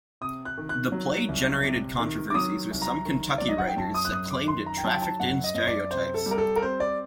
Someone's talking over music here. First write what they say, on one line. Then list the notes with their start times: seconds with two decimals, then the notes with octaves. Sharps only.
The play generated controversy with some Kentucky writers that claimed it trafficked in stereotypes.
0.21 C3 D#6
0.45 F#6
0.58 D#3
0.69 F#6
0.92 F#3
1.29 C2
1.63 C3
2.00 D#3
2.30 D6
2.34 F#3 D#6
2.71 C2
2.82 A#5
3.05 D#3
3.38 F#3 D5
3.48 D#5
3.58 F#5
3.68 G5
3.77 F#2 A5
3.95 D#6
4.05 F#6
4.12 F#2 D#6
4.31 D6
4.48 D#3 C6
4.66 A#5
4.77 G5
4.84 F#3 A5
4.94 G5
5.02 A5
5.20 F#2 F#5
5.44 D#5
5.55 F#2 D#5
5.67 D5
5.91 C3 C5
6.14 A4
6.26 G3
6.31 A#4
6.38 A4
6.56 A#4
6.62 C4 C5
6.80 D5